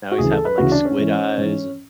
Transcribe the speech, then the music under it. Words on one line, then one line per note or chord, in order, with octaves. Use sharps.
now he's having, like, squid eyes, and
F#4
D2 C#3 E3 G#4
A4
B4
D2 C#3 E3 F#4
D4
C#4
G#2 E3
G#2 E3